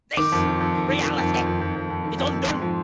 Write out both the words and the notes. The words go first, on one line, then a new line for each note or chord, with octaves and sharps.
This reality is undone.
D#3 D6
F2
D#3
F2
D#3
D#3
D#3
F2
D#3
F2
F2
F2
F2
D#3
F2
F2
G#2 C6
F3